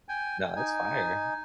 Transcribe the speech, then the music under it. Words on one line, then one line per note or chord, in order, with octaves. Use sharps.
No, that's fire.
G5 G#5
D#4 G#5